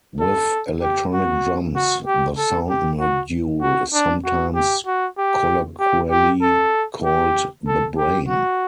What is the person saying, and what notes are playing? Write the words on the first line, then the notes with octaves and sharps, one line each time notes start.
With electronic drums, the sound module is sometimes colloquially called the "brain".
A4
G4
F#4
F#4
G4
A4
G4
F#4
F#4
D4
F#4
G4
F#4
G4
G4
G4
A4
G4
A4
G4
F#4